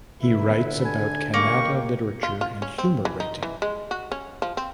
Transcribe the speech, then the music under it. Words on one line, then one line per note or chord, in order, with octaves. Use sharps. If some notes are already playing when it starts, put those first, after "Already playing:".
He writes about Kannada literature and humor writing.
D3 E4 B4
G#5
C#3 G#3 A#3 G4 C#6
F4
F4
C#4
C4
E3
D#4
E3
G#3
F#4
C#4
F3
C4